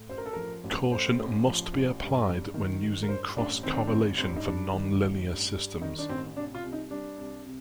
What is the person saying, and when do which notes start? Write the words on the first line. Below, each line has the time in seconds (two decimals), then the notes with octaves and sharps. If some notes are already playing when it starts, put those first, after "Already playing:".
Caution must be applied when using cross correlation for nonlinear systems.
Already playing: A2
0.09 A1 C5
0.18 A#4
0.26 A4
0.33 F3 A#4
0.64 A1
0.92 A2 C5
1.19 A1
1.45 F3
1.73 A1
2.01 G2
2.28 A1
2.54 D#3
2.82 A1
3.03 A#4
3.09 G2 C5
3.36 A1 D4
3.63 D#3 C4
3.76 D4
3.87 A1 C4
4.18 G2 C4
4.36 D#4
4.45 G3 D4
4.73 D#3
5.00 A1
5.28 G2
5.54 G3
5.81 D#3 D#4
5.99 D4
6.09 A1 C4
6.36 C3 D4
6.55 F4
6.64 C2
6.73 D#4
6.91 G3 D4
7.18 C2
7.45 C3